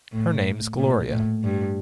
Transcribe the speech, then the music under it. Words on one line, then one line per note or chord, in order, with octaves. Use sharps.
Her name's Gloria.
A2
A#2
A2
G2